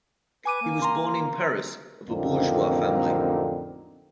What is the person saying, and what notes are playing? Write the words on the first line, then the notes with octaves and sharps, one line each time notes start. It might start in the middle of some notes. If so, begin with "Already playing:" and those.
He was born in Paris, of a bourgeois family.
B4 G#5 D6 D#7
A#3
A#5 C6
A1 F2 D3 A#3 C4 D#4